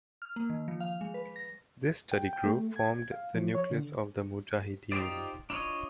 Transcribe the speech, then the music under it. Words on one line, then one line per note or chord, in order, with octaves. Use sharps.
This study group formed the nucleus of the Mojahedin.
F6
A#3
D#3
F3
F5
G#3
B4
A#6
G5
G5
A3
G#6
F5
F3
C#5
D3
D#4 F4 G4 C5 D5
D4 E4 F4 C#5 D#5